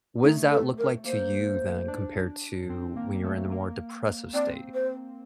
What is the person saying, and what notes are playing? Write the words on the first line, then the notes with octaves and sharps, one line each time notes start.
what does that look like to you then compared to when you're in a more depressive state?
A3 D#4
A4
A#4
A#3 C5
D4
C4
A#3
A3
A#3
C4 D5
C5